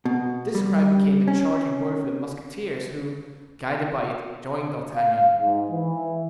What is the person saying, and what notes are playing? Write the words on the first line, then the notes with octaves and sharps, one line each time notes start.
This cry became the charging word for the musketeers, who, guided by it, joined D'Artagnan.
B2
G3
C#4
F5
G#2
E3